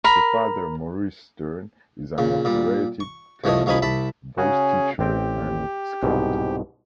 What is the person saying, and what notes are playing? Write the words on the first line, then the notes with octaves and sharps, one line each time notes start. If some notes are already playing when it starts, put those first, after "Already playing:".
Her father Maurice Stern is an operatic tenor, voice teacher and sculptor.
A#4 B5
A#2 C#3
A#2 G3
C#6
C2 F3 A3 C#5 D#5
C2 F3 C#4 D#4 G#5 B5
C2 E5 A5 B5
C#3 C#4 F#4 G#4
A1 C4 G4 G5
C2 G#2 B2